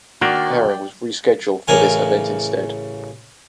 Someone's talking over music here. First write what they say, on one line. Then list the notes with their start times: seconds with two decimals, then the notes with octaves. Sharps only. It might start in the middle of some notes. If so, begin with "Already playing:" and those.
The pairing was rescheduled for this event instead.
0.21 D#3 A#3 D4 F#4 D5 G5
1.68 A1 C#3 A#4 G#5